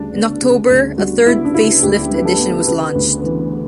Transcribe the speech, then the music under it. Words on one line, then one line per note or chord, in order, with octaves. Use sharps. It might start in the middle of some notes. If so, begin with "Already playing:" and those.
In October, a third facelifted edition was launched.
Already playing: D2 C#3 G3 D4
B3
C#3
D2
G3 F#4
B3 E4
D4
C#3 E4
D2 G4
G3 B4
A4
B3
C#3 B4
D2
E3